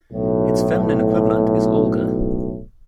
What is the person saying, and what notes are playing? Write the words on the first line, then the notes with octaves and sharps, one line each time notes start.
Its feminine equivalent is Olga.
B1 A2